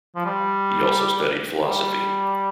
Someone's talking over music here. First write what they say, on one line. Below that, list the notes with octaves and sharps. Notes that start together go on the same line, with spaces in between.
He also studied philosophy.
F3
G3
G3